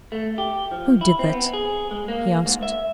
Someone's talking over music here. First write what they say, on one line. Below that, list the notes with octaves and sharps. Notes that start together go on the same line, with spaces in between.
"Who did that?" he asked.
A3
G4
F3
E4
C4
B3
G#4
G#3
A#3
G#2
E5